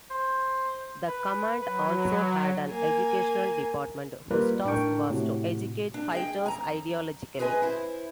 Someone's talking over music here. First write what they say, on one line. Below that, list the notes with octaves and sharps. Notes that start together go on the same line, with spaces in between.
The command also had an educational department whose task was to educate fighters ideologically.
C5
B4
F#3 B4
A#3 G#5
G3 A#3 F4 A#4 B4
A2 D4 D#4 A#4 G5 C#6
A2 C3 F#4
D4
G#4 D#5 E5 G5
F2 G#5 A#5
G#4 B4 C5 D#5 G#5
E4 C5